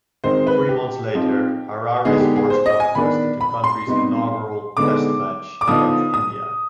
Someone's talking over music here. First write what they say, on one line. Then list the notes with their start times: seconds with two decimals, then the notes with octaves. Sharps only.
Three months later, Harare Sports Club hosted the country's inaugural Test match, against India.
0.24 D#3 G#3 C4 D#4 C5
0.47 B4
0.69 G4
1.15 F3 C4 D#4
2.05 D3 G#3 B3 D#4 G#4
2.20 G4
2.36 G#4
2.50 C5
2.66 D#5
2.80 G#5
2.95 D#3 B3 D4 B5
3.41 B5
3.64 C6
3.87 C3 G3 B3 D#4
4.77 D3 G#3 B3 D#4 D6
5.61 D6
5.67 D3 F3 B3 D#4 D#6
6.14 D#6